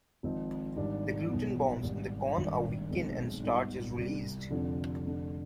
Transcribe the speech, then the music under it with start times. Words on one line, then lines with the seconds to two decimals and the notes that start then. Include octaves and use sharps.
The gluten bonds in the corn are weakened and starch is released.
0.23 G#1 G#2 F3 C4 D#4
0.76 G#1 G#2 G3 D4
1.29 B1 B2 G3 B3
1.83 G#1 G#2 G3
2.37 G#1 G2 D#3 G3
2.90 B1 B2 G#3 C4
3.43 G#2 G3 B3
3.96 C2 C3 G3
4.50 F1 F2 D3 F3 C4
5.04 F1 F2 D3